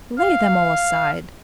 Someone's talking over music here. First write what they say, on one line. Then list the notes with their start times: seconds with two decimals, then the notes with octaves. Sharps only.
Lay them all aside.
0.18 F5